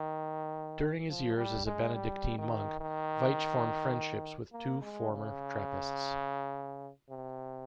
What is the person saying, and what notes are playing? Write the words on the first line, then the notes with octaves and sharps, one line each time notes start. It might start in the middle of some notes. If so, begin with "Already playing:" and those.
During his years as a Benedictine monk, Veitch formed friendships with two former Trappists.
Already playing: D#3
F3
G3
G#3
G3
D#3
D#3
A#3
G#3
C#3
C3